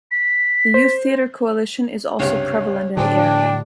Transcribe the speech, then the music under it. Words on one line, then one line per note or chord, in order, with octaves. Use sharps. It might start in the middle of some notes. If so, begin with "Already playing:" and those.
The Youth Theatre Coalition is also prevalent in the area.
B6
C5
C#2 G2 C3 C#5
A2 D3 F#3 D4 G#4 C5 G5